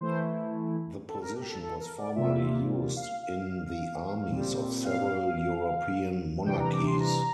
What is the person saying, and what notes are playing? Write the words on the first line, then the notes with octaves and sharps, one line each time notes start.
The position was formerly used in the armies of several European monarchies.
E3 A3 E4 C5
A4
A#4
G4
A4
A4
A#4
D5
C3 G3 A#3 F4 E5
F5
F5
A#2 G3 C4
F5
C3 E3 G3 D4 G5
A#5
D6
C6
A#5